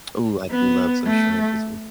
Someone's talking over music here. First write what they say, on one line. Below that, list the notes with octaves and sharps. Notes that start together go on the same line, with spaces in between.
Ooh, I do love some shrimp with some
B3
A3